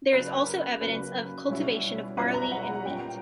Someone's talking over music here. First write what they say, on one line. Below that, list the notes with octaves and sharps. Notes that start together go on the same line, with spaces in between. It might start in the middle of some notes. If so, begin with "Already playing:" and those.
There is also evidence of cultivation of barley and wheat.
C#3 F#3 A#3 B4
A#4
C#3 F#3 A#3 B4
B2 G3 C#4 E4
B2 G3 C#4 E4 B4
A#5
F#5
A#2 G3 A#3 C#4 G5